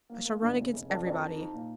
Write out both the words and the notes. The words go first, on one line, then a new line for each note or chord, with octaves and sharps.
I shall run against everybody.
A#3
A#3
G1
C#3
F1
F2
F2
D#4
D#4
A#2